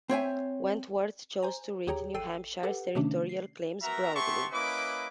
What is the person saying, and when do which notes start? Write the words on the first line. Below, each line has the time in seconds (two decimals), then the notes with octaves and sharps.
Wentworth chose to read New Hampshire's territorial claims broadly.
0.09 C4 C#5 E5 G#5
1.43 C5 G#5 A#5
1.87 D#2 G4 G#4 C#5 G5 A#5
2.14 G#1 A4 G5 E6 C7 D#7
2.63 G4 A4 B4 F#5
2.95 C3 D#3 A3 C#4 D4
3.29 C7
3.82 B3 F#4 A#4 E5 A#5
4.14 B3 G4 E5 A5 C6 C#6
4.52 A#3 C#4 E4 B4 D#5 D6